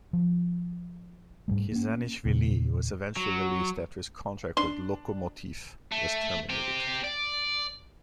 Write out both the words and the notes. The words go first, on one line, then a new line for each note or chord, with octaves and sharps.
Khizanishvili was eventually released after his contract with Lokomotiv was terminated.
F3
G#2 G3 A3
A#3 C#4
E2 A#2 C#3 B3
F#3
D4 C6
A3
C4 G4
D5